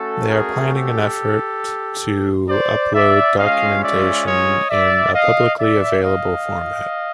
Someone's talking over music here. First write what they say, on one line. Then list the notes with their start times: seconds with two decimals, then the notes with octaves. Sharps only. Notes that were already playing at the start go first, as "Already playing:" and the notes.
They are planning an effort to upload documentation in a publicly available format.
Already playing: A3 C#4 F#4 A4
0.29 G#4 A#4
0.74 G4 A4
2.49 C5 D5
2.94 D5 E5
3.38 G#3 C#4 F4 D#5 F5
3.82 D5 E5
4.25 C#5 D#5
4.69 D5 E5
5.14 D#5 F5
5.58 D5 E5
6.02 D#5 F5